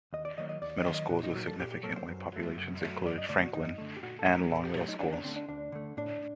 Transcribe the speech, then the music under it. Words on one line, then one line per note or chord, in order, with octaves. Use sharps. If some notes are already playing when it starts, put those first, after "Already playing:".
Middle schools with significant White populations included Franklin, and Long middle schools.
D#2 D#5
D5
D#3 F#3 A#3 D#5
D#5
D#2 D5
D#5
D#3 F#3 A#3
D#5
A#2 F#4
D#4
F#3 A#3 F#4
A4
A#2 G4
G4
F#3 A#3 A4
C5
F#2
F#3 A3
F#2
F#3 A3
F#2 D5
D#5
D3 A3 D5
F#4
F#2 D#4
D3 A3
G4
A#2 F#4
A4
F#3 A3
A#4
A#2 A4
G4
F#3 A3 G4
D#4
D2 D4
D4
D3 A3 C4
D4
D2 D4
D3 A3
A2 D4